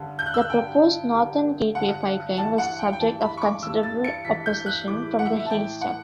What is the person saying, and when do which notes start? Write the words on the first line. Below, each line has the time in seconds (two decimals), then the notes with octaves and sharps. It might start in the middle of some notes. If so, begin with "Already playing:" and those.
The proposed Northern Gateway pipeline was the subject of considerable opposition from the Heiltsuk.
Already playing: G2 D3
0.19 G6
0.26 F#6
0.34 E6
0.41 F#6
0.49 G2 D3 G5
1.12 G2 D3
1.75 G2 D3 F#5
2.37 G2 E3 A5
2.58 F#5
2.79 G5
2.93 G5
3.00 G2 E3 A5
3.21 B5
3.37 C#6
3.42 D6
3.62 G2 E3 E6
3.83 A6
4.04 C#7
4.25 G2 E3 B6
4.46 G6
4.66 F#6
4.88 A2 E3 D6
5.19 F#5
5.25 E5
5.40 E5
5.46 A5
5.50 A2 E3 G5
5.81 F#5